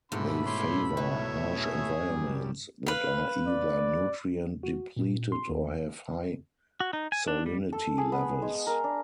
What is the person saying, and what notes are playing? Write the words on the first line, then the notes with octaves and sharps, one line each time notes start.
They favour harsh environments that are either nutrient-depleted or have high salinity levels.
G#2 B2 D3 A3 E4 B5
C#5 C6 D6
B4 C#5 E5
G#4
F#2 G3
B4 F5
D5
F#4
A#2
C6
D#2
F#4
D#4
G#5
D4
G3
A4
G#4
B3
G#3
A#4
D4